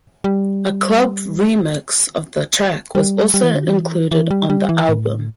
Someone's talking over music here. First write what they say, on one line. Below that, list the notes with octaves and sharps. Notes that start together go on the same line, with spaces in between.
A club remix of the track was also included on the album.
G3
G3
G3
E3
D3
E3
E3
G3
G3
E3
A2